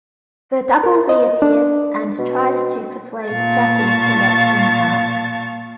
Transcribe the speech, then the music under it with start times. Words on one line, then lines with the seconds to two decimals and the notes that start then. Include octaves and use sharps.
The double reappears and tries to persuade Jackie to let him out.
0.83 A#4
1.09 D#5
1.42 D4
2.18 B2
3.28 A#2 F5 A5 C#6 A6